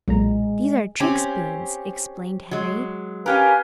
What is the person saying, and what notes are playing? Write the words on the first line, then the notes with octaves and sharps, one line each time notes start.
"These are trick spoons," explained Henry.
B1 A#2 G#3 A#5
C4 C#4 G4
F#3 G#3
C#4 G4 A#4 B4 F5 G#5